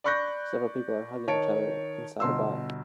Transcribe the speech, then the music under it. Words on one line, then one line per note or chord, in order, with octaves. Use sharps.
Several people are hugging each other inside a bar.
D5 B5 C#6 F#6 G6 A#6
D#3 C#5 A5 D7
G1 B2 C6 E6